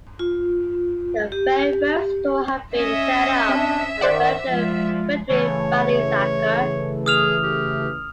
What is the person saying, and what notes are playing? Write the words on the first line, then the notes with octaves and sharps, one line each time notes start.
The very first store had been set up by the Belgian Frederik Van Isacker.
F4
G4
C#4 D#5 E5
C4 D4
D#3 C5 D5 F#5
F3 G#3 F4
C#3 E3 A3 C#5
G#4 D#6 F6 F7
G4